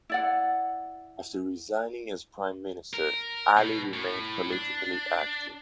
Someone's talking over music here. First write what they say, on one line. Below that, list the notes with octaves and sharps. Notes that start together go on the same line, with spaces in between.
After resigning as prime minister, Ali remained politically active.
E4 D5 F#5
A#4
B2
A2
D4